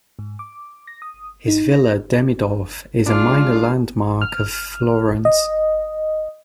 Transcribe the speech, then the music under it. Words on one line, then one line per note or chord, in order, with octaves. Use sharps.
His Villa Demidoff is a minor landmark of Florence.
G#2
D6
A#6
D#6
D#4
A#6
G#3 D4 F4 F5
F6
D#5